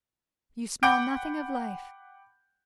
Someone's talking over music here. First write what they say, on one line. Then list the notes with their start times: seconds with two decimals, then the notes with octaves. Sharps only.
You smell nothing of life.
0.83 F#5 G5 B5 D6 G6 D7